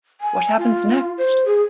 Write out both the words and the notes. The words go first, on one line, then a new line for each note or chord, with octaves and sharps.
What happens next?
G#5
F4
C5
G#4